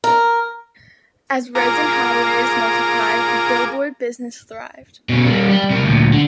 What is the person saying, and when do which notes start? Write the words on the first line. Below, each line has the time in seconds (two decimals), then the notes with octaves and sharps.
As roads and highways multiplied, the billboard business thrived.
0.04 A#4
1.55 F4 G#4 A#4 A#5 D6
5.09 B2 C#4
5.26 G3 A#3
5.49 G3
5.70 C3 A#4
5.83 D2 A#2
6.13 D3